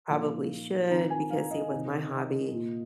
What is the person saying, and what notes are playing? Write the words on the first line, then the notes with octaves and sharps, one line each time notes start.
probably should because, see, with my hobby,
A#2 F3 A#3 D#4 F5
D#3 C4 F4 A#5
G#5
F5
D#5
C3 D#3 C4
A#2 A#3 F4